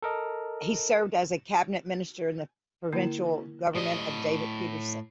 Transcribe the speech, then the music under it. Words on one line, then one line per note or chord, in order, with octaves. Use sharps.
He served as a cabinet minister in the provincial government of David Peterson.
A4 A#4 D#5
D3 A#3 E4
A2 G4 D5 D#5